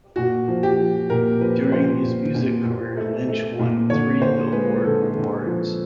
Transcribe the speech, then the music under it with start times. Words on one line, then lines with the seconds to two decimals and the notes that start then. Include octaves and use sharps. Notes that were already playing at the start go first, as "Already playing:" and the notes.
During his music career, Lynch won three Billboard awards.
0.16 A#2 F#4
0.48 F3
0.63 G4
0.79 F3
1.10 A#2 A#4
1.40 F3 B4
1.72 F3 C5
2.04 A#2
2.34 A#2
2.65 A#2
2.97 A3
3.29 A3
3.59 A#2
3.90 D3 C#5
4.22 D3 C5
4.52 G#3 B4
4.84 D3 A4
5.15 D3
5.46 F3